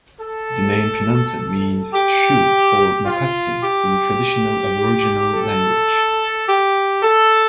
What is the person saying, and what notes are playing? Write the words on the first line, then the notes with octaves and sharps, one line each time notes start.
The name Pinantan means shoe or moccasin in traditional Aboriginal language.
A4
G4
F4
G4
A4
G4
A4